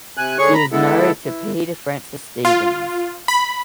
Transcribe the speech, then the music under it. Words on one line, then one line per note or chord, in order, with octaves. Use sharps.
She is married to Peter Francis Stevens.
C3 G#5 F#6
D2 D3 G#4 C#5 C#6
A#5 B5
D3 G#3 B3 E4 A4
E3
F4
B5